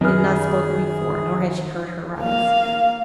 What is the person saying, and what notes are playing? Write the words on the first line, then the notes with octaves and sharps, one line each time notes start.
She had not spoken before, nor had he heard her rise.
F#2 D#3 G#4 B4 F6
A#3 F5